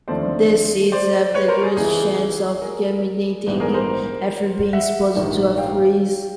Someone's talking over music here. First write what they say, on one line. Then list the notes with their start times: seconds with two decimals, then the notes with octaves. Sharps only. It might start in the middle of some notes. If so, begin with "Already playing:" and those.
The seeds have the greatest chance of germinating after being exposed to a freeze.
0.08 D#2 D3 F3 A3 C4 C5 D5
0.92 C5 D5
1.34 B4 C#5
1.48 A#4 C5
1.63 G#4
1.77 C#2 C#3 E3 G#4
2.62 G#4 A#4
3.46 A#1 G#2 E3 G3 B3
3.60 G#4 A#4
3.74 A#4 C5
4.73 E5 F#5
5.15 A#1 G#2 D#3
5.58 F5 G5